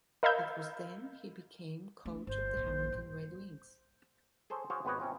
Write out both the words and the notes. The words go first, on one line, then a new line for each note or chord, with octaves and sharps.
It was then he became coach of the Hamilton Red Wings.
A#4 D#5 F5 B5 E6 G6
A3 D4
G1 C5
A#1 G2
G3
G#4 A4 C5 C#5
F#4 G#4 C5 C#5 F5
G#1 B3 G4 B4 C#5 D#5
C3 C4 C#4 F4